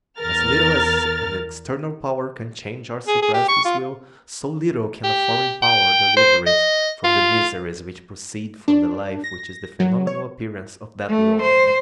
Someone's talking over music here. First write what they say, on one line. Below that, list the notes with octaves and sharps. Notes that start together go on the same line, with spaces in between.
As little as an external power can change or suppress this will, so little can a foreign power deliver it from the miseries which proceed from the life which is the phenomenal appearance of that will.
E2 A#4 F6 A6
G#4
G#4
G4
C#6
F4
G4
G5
C5
D#5
F4
D4
A#6
F#3
C#5
A3
C5